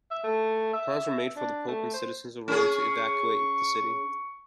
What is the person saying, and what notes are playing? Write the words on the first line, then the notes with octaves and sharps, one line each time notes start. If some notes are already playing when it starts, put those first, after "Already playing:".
Plans were made for the Pope and citizens of Rome to evacuate the city.
E5
A3
E5
D4
A3
C5
C#4 G#4 C#6